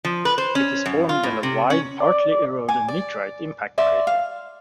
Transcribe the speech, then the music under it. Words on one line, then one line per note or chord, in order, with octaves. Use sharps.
It is formed in a wide, partly eroded meteorite impact crater.
F3
B4
C5
C#4
F#2
F4
A2
C3
C#4
D5
G#5 D6
D5
D5 E5 C6
F5